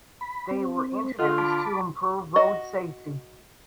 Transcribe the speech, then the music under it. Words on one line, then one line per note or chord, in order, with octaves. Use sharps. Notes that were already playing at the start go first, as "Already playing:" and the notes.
They were introduced to improve road safety.
B5
C4
D3 F4 A4 D#5 F#5
A5 B5 D6
F#4 D#5